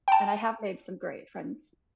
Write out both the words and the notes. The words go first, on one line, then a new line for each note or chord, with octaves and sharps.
And I have made some great friends.
G5 A5